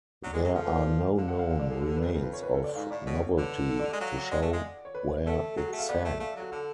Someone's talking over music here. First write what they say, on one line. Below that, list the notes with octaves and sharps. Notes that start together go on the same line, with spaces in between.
There are no known remains of "Novelty" to show where it sank.
F#3 D4
G#3 G#4
F#3 G#4
F3 A4
B4
D5
D3 F5
F#5
F5
F5
D5
G#4
A4
F#2 B4
F2
B4
C#5
B4
A4
D5
G#2 F5
A2 D5
B2 C#5
C#5
D3 B4
A4
D5
D5
G#3
F#3 F5
F#5
G#3 D5
A3
G#3
C#5
B4
A3 A4
F#3 G#4
F#4
A3
F5
B3 D5
A3
A3 F5
A4
F#3 F#4
D3 A4